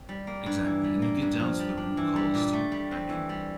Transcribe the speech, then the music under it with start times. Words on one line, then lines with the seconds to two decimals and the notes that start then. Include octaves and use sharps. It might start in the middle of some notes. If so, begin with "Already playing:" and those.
Exactly, and you get down to the root cause too. I mean,
Already playing: C4
0.09 G3
0.27 A#3
0.46 G2
0.65 E3
0.84 G3
1.02 A#3
1.22 G2
1.40 F3
1.60 G3
1.77 D4
1.97 E3
2.16 G3
2.34 A#2
2.53 A3
2.72 G3
2.91 C4
3.09 E3
3.29 G3